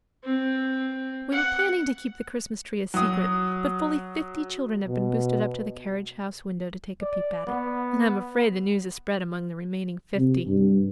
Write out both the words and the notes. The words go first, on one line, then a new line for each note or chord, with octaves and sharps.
We were planning to keep the Christmas tree a secret, but fully fifty children have been boosted up to the carriage house window to take a peep at it, and I am afraid the news has spread among the remaining fifty.
C4
F#5
F#3 D#6
B2
D5
B3
C3
G2